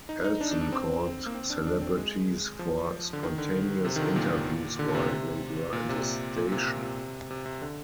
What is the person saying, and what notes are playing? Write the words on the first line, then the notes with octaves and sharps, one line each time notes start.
Elson caught celebrities for spontaneous interviews while they were in the station.
D#4
D#4
D4
D4
D4
C4
A#3
C4
D4
D4
C4
G#3
F3
D3
D#3
D3
C3
D#3
D3
A#2
D3
A#2
C3
A#2
C3
A#2
A#2
C3
A#2
C3
C3
C3
D3